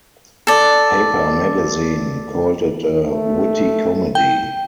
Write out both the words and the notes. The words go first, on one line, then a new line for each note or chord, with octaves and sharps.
Paper Magazine called it a "witty comedy".
A4 D5
A3
G5